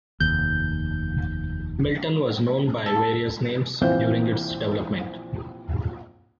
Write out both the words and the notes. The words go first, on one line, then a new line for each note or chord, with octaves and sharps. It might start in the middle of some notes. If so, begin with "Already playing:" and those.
Milton was known by various names during its development.
F1 D#2 G6
A4
A#1 C3 E3 F4 C5 G6